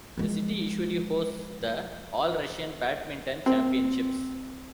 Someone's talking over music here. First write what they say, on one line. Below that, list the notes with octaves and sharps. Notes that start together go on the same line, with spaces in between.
The city usually hosts the All-Russian badminton championships.
F3 G#3
C4